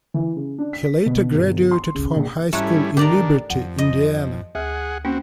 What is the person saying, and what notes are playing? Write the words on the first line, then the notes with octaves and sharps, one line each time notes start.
He later graduated from high school in Liberty, Indiana.
E3
C#3
D4
B6
B2
G1
C6
C#3
A#1
G#2 G3 A3 C#4 E4 A#5 F#6
D3 D#3 D4 G4 A#4 D5 A#5 A6
F2 F#5
D#5
D2 G#4 F#5
A#3 C4 C#4 F#4 G5